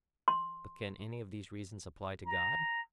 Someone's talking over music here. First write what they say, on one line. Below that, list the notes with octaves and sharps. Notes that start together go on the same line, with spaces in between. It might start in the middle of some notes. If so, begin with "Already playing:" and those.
But can any of these reasons apply to God?
C6
A#5